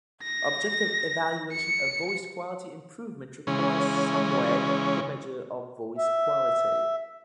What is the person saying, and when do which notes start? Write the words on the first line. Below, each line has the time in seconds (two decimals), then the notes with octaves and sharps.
Objective evaluation of voice quality improvement requires some way to measure of voice quality.
0.24 A#6
1.53 C#7
3.47 C#3 E3 G#3 C#4
5.98 E5